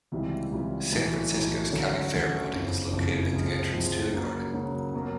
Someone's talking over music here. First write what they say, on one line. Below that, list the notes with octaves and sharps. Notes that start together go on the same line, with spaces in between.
San Francisco's County Fair Building is located at the entrance to the garden.
C#2 C3 E3 G3
C#2 C3 E3 G3
B1 A2 E3
B1 A2 E3
D2 D3 F#3 A3 C#4
D2 D3 F#3 A3 C#4
F#1 F2 C#3
F#1 F2 C#3
C#2 C3 F3 G#3
C#2 C3 F3 G#3
C#3 F#3 A#3
C#3 F#3 A#3
B2 F#3 A#3